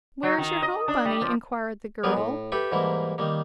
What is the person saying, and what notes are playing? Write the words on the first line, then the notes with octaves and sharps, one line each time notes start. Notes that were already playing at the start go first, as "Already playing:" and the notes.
"Where is your home, bunny?" enquired the girl.
F#3
D#3
D#5
D4
G3
F3
F#3 G3 B3 G#4 A#4 B4
A2
G4 A4 B4 E5 G5
G#2 E3 G3 A#3 E4
D#3 G3 A#3